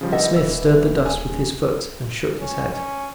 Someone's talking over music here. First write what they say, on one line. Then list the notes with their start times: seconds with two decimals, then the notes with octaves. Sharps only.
But Smith stirred the dust with his foot and shook his head.
0.01 C#3 F3 G3
0.12 E3 D#5 E5 F#5
0.36 D#1 E6
1.06 G#4 G#5
2.39 C#4
2.70 C#4